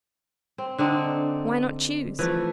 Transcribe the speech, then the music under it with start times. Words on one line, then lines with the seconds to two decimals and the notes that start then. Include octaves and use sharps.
Why not choose?
0.58 C4
0.78 D3 C4 D4 D#4
2.19 E3 F3 A3